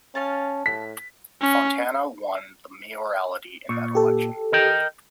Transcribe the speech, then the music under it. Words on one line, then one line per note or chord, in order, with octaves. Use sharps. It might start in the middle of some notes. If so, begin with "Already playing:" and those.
Fontana won the mayoralty in that election.
C#4 F5 A5
A2 B6
C#4
A#2 C#6
G4 A4
A#4 D#5 G5